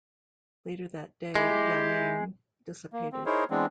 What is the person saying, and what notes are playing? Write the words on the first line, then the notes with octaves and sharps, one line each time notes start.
Later that day, Yaning dissipated.
G#3 E4 G4
A#3
C4
D#4 E4 G#4 A#4 C5 C#5
E3 G#3 B3 C4 D4